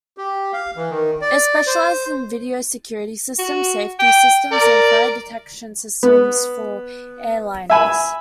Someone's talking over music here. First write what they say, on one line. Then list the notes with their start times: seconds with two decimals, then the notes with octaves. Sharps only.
It specialises in video security systems, safety systems and fire detection systems for airliners.
0.17 G4
0.53 F5
0.76 E3
0.90 D#3
1.22 D5
1.67 C5
3.39 F#4
4.00 G5
4.51 A#4 D5
6.03 B3
7.70 E5 G#5 B5